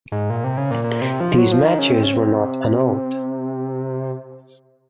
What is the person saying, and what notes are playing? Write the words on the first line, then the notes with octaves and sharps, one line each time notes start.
These matches were not annulled.
G#2
A#2
C3
C#3
A#2
A#2
C3
F3
F#3
F3
D#3
C#3
C3
C#3
C3